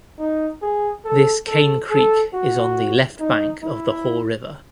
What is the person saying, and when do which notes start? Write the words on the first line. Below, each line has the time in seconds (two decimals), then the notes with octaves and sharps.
This Cane Creek is on the left bank of the Haw River.
0.19 D#4
0.62 G#4
1.05 A4
1.47 A4
1.91 A4
2.33 F#4
3.19 D#4
3.62 E4